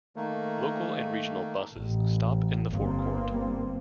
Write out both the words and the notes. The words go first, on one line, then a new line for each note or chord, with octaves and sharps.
Local and regional buses stop in the forecourt.
D#3 A3 A#3
A1
G1 G2 A#3 C4